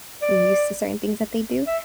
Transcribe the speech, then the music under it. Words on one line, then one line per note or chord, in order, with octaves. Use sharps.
used to certain things that they do,
D5
E5